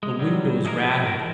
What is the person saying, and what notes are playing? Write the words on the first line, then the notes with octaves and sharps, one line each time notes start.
The windows rattled.
G#3
F#3 G3
E3 G#3 A#3 E4 A#4
F3 F#3 E4 G4
A#4
E3